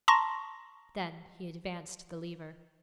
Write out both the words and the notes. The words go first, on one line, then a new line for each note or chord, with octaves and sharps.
Then he advanced the lever.
A5 A#5 C6 C#6 A#6